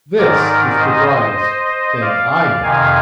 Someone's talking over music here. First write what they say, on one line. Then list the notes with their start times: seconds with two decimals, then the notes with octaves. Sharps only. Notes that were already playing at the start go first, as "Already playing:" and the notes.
This is the driest thing I know.
0.18 G#2 D#3 A#4 D5
0.79 C5 D#5
2.01 D5 F5
2.31 D5 F5
2.62 F2 C3 D#3 F5 G#5